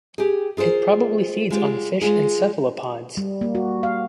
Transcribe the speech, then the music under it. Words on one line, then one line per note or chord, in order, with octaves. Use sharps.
It probably feeds on fish and cephalopods.
G4 G#4
F4 G#4 A#4 C5
G#3 F4 G4
G#3 F4 G#4
G3
A#3
F#4
F5